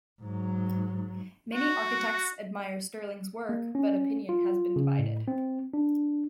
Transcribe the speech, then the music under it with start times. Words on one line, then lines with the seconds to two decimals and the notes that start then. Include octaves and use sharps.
Many architects admire Stirling's work, but opinion has been divided.
0.21 G#2 F#3
1.54 F#4
3.49 A#3
3.75 C#4
4.29 F4
4.76 C#3
4.99 A2
5.28 C4
5.74 D4